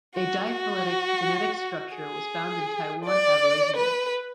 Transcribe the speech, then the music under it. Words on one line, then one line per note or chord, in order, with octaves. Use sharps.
A diphyletic genetic structure was found in Taiwan Aborigines.
F#4
F#4
G#4
D5
B4